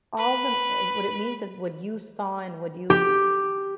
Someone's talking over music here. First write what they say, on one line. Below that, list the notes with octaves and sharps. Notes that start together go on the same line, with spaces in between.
all the m eh, what it means is what you saw and what you
B4
G4